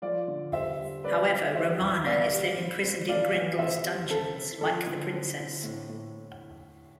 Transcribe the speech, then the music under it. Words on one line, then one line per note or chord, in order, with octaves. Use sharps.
However, Romana is then imprisoned in Grendel's dungeons like the Princess.
F3 D5 F5
D3
G3 C5 E5
G3
C4 B4 D5
C4
G3 C5 E5
C4
B3 D5 F5
G3
C4
C4
A3 D5 F5
E3
C4 C5 E5
G3
C4 A4
C4
F3 A4
D3
C4
C4
A2
A2